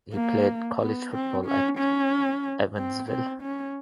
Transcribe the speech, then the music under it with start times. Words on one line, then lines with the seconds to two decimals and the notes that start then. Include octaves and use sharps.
He played college football at Evansville.
0.14 A#3
0.80 B3
1.12 C4
1.46 C#4
1.78 C#4
2.77 C4
3.09 C4
3.42 C#4